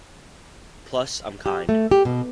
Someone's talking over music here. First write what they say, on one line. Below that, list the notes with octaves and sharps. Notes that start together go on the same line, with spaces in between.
Plus I'm kind.
G4
A3
G4
B2